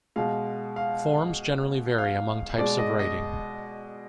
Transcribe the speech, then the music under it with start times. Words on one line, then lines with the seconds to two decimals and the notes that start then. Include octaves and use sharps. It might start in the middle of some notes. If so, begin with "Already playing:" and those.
Forms generally vary among types of writing.
0.16 B2 G#3 F5
0.76 F5
1.98 F5
2.58 B2 G#3 D5
2.78 D#5
2.99 D#5